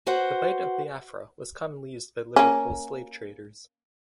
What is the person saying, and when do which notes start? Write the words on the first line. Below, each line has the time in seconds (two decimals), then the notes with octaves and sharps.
The Bight of Biafra was commonly used by Liverpool slave traders.
0.07 F#4 B4 C5 F#5
2.36 A#3 C#4